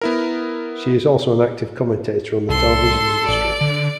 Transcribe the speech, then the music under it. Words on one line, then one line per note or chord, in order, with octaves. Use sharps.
She is also an active commentator on the television industry.
B3 E4 A#4
C2 A4 C6
A1 D5
D3